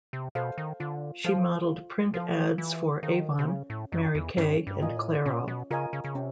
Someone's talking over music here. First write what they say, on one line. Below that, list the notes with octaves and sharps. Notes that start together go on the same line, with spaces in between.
She modeled print ads for Avon, Mary Kay, and Clairol.
C3
B2 A4 C5 F5
D#3
D3 F4
F3 A4 C5 F5
F4
F3 A4 C5 F5
E3 F4
D#3 A4 C5 F5
C3
C#3 C#4
A2
F#2 F4 A#4 D#5 G#5
E2
G2 C#4
G2
F4 A#4 D#5 G#5
A#2
A2
A#2 C#4
B2
C#3 F4 A#4 D#5 G#5
C#3
C#3
C3 C#4